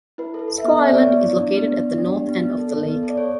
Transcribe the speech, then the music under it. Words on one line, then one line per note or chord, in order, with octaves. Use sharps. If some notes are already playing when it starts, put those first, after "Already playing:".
Squaw Island is located at the north end of the lake.
E4 B4
A4
B4
A4
E5
B3
B3 E5
D5
B3 C#5
D5
B3
E4
D4
B3
B3
B3
D4
G4
B3
B3
A4
A4
B3
A4
D5
A4 C#5